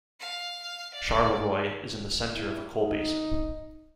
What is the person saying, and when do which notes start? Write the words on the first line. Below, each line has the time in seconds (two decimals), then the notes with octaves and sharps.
Charleroi is in the center of a coal basin.
0.20 F5
0.94 D5
2.34 E4
2.81 D#4